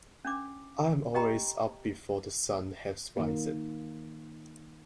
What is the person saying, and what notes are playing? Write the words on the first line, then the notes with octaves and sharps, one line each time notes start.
I'm always up before the sun has risen.
C#4 D4 D6
G4 D#5 G5 A#5 B5
D#3 A#3